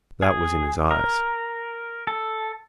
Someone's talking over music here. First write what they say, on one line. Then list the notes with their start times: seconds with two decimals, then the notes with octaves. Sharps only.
That was in his eyes.
0.22 G#4
0.91 A#4
2.07 A4